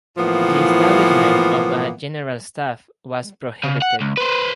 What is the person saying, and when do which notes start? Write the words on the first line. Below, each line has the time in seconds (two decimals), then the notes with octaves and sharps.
The establishment of a general staff was prohibited.
0.17 A2 E3 F3 A#3 B3
3.63 C#3
3.82 F#5
4.01 C#2
4.17 B4 C5